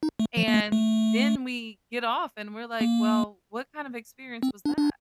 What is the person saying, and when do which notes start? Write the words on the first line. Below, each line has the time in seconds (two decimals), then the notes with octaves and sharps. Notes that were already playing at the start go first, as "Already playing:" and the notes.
and then we get off, and we're like, "Well, what kind of experience was that?"
0.03 D#4
0.19 A3
0.37 F3
0.48 A#3
0.54 A3
0.72 A3
2.81 A#3
4.43 C4
4.65 D4
4.78 D4